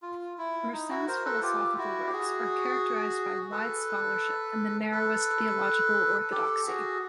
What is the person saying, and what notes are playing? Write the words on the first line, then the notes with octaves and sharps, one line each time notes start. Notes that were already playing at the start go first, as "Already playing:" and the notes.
Mersenne's philosophical works are characterized by wide scholarship and the narrowest theological orthodoxy.
F4
E4
D#4
E4 F#4
A#4 C5
A4 B4
F4 G4
E4 F#4
G4
F#4 G#4
A4 B4
A4 B4
G4 A4
F#4 G#4